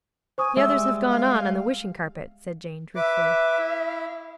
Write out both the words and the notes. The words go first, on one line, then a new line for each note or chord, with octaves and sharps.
'The others have gone on, on the wishing carpet,' said Jane truthfully.
C5 G#5 C#6 D#6
G3 G#3 E5 E6
F5
B4 E5 D6
E4